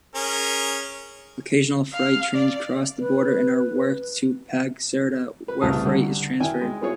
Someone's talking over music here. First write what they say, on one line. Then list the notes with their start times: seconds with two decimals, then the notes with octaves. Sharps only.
Occasional freight-trains cross the border and are worked to Puigcerda, where freight is transferred.
0.15 C#4 G#4 A#4
1.93 F5
2.35 D5
2.99 B4
5.48 B4
5.61 C2 C#3 A3 E4 A5 D#6
5.85 D3 G3
6.40 D#3 E4 G5 G#5
6.61 G#3
6.82 B3 E4 F4 G#4 C#5